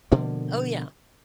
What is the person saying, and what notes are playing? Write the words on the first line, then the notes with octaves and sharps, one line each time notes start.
Oh, yeah.
B2 D3 F3 A#3